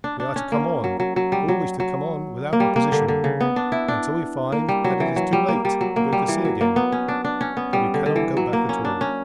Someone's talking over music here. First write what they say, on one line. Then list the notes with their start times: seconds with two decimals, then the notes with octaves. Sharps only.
We are to come on; always to come on, without opposition, until we find that it is too late to go to sea again, that we cannot go back at all.
0.04 D4
0.20 D4
0.36 C#4
0.52 A#3
0.84 F#3
1.00 F#3
1.16 F#3
1.32 G3
1.48 F#3
1.80 F#3
2.53 A#3
2.60 G3
2.76 A#3
2.92 D3
3.08 D3
3.24 C#3
3.41 B3
3.56 D4
3.72 E4
3.88 D4
4.52 A#3
4.69 G3
4.84 F#3
5.00 E3
5.16 F#3
5.33 G3
5.48 A#3
5.65 G3
5.81 F#3
5.96 A#3
6.13 G3
6.28 E3
6.45 F#3
6.61 A#3
6.76 B3
6.92 C#4
7.08 D4
7.25 D4
7.41 C#4
7.57 B3
7.73 G3
7.94 D3
8.06 D3
8.16 E3
8.37 F#3
8.53 A#3
8.69 C#4
8.85 D4
9.01 C#4